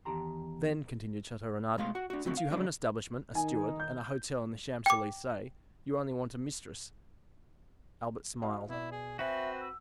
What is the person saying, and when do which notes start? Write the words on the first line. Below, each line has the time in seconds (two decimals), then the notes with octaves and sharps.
"Then," continued Chateau-Renaud, "since you have an establishment, a steward, and a hotel in the Champs Elysees, you only want a mistress." Albert smiled.
0.05 E2 D#3 G4 A5 A#5 C6
1.77 B2 G#3 A3 F5 C6
1.95 F#4 F#5
2.10 D4 F#4
2.25 B1 G#2 D3 A3 C4 F#4
2.37 F5
2.51 E2 C#3 F#3 G#3 D4
3.35 D#3 D#4 G#5
3.80 G6
4.86 G5 D6
8.42 F#4 D#5 F5
8.69 B2 E4 D5
8.91 G#4
9.19 C4 F#4 B4 E5 F#5 G#5
9.61 E6